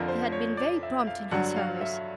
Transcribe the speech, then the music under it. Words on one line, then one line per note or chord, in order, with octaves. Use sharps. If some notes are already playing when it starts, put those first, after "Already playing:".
He had been very prompt in her service.
Already playing: F2 D3 F3 A#4
C5
C#5
D5
E5
F5
G2 D3 F#3 F#5
F5
E5